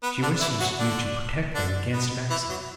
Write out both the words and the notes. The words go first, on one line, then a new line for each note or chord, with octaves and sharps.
She wishes you to protect them against Maximus.
B3
D3 D4
E3 E4
F#3 F#4
D3 D4
D3 D4
B3
E3 E4
F#3